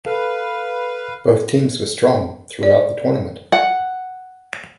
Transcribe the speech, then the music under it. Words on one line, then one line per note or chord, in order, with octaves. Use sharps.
Both teams were strong throughout the tournament.
A4 B4 F5
D5
F#5